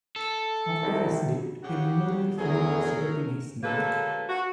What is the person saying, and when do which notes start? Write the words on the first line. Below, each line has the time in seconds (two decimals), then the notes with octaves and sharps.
After his death, a memorial fund was set up in his name.
0.16 A4
0.80 C2 D#3 A3
1.63 C#3 G4 F#5
2.38 E2 F#3 A3 G#4 A#4
3.64 D3 F#3 G#3 A#3 A4 B4
4.29 F#4